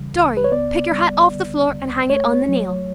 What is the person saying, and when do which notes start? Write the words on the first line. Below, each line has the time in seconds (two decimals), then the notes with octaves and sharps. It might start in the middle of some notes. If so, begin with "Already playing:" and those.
Dorry, pick your hat off the floor and hang it on the nail!
Already playing: C#3 E3 G3
0.13 C#2
0.37 B4
0.44 C#5
0.52 B3 D5
0.91 G3
1.31 D3
1.70 D2
2.10 A3 C#5
2.49 F#3